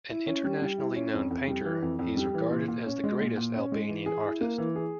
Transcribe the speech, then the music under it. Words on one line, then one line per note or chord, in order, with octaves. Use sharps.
An internationally known painter, he is regarded as the greatest Albanian artist.
E4
C#4
G3
G3
E4
C#4
F2
F2
G3
E3
F2
F2
G3
E3
A#2
A#2
C#4
G#3
A#2
A#2
C#4
G#3
E3
G#4
E4
A#3
E3
G#4